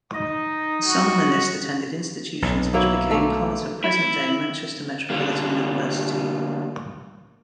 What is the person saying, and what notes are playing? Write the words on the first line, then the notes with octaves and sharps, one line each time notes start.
Some in the list attended institutions which became part of present-day Manchester Metropolitan University.
D#4 D#5
F#4
B1
F#3 A#3 E4
A3 A#3
E4
D3 G3 A#3